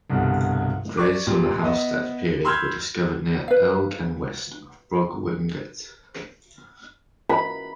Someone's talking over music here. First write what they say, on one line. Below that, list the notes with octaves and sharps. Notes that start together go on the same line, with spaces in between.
Graves from the Hallstatt period were discovered near Elgg and west of Bruggwingert.
C2 G2 B2 D3
D5 C#6 D6
F2 A#2 G3
B3 D#5 E5
B5 C6 E6 F6 G6 G#6
B4 F5
B5